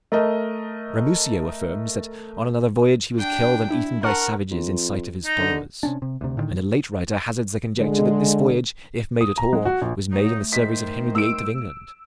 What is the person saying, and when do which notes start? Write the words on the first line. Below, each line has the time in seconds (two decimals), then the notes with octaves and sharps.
Ramusio affirms, that, on another voyage, he was killed and eaten by savages, in sight of his followers; and a late writer hazards the conjecture that this voyage, if made at all, was made in the service of Henry the Eighth of England.
0.12 A3 A#4 D#5
3.18 D4 G5
3.71 D4 E4
4.03 A#4 F#5 A5 C#6 F6
4.51 F2
5.25 D#4
5.38 D3
5.83 C3 C#4 D4
6.02 C3
6.21 D2 C3
6.37 A2 D3 D#3
7.79 D3 G#3
9.21 D#6
9.38 A#5
9.53 G#3
9.65 F#4
9.81 A#1
10.12 F#3 A3 D#4
10.52 D#3 C5 B6
11.15 E6 D7